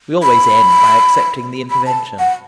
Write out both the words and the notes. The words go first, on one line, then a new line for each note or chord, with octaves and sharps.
We always end by accepting the intervention.
B5
B5
A5
F#5